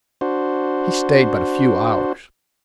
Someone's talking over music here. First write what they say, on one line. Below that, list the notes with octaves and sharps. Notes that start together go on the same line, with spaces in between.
He stayed but a few hours.
D4 F#4 C5